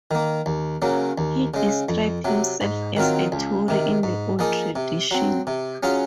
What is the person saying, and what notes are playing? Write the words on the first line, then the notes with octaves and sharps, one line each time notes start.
He described himself as "a Tory in the old tradition".
D#3 A#3
D#2
C#3 F#3 A#3
D#2
C#3 G#3
F2
C3 F#3
G#2
D#3 F#3 C4 F4
C#2
C3 D#3
G#2
F3 A#3 D#4 G#4
C3
F#3 C4
C3
F#3 C#4 F4 G#4